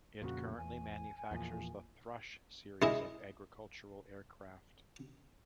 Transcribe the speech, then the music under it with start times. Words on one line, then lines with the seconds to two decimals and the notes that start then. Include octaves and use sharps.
It currently manufactures the Thrush series of agricultural aircraft.
0.22 F2 A#2 C#3 F#4
0.57 E2 G#5
1.31 E2 A#2 F3
2.82 G#3 E4 D#5